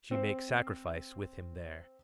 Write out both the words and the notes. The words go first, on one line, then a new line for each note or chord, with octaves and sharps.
She makes sacrifice with him there.
C4 C5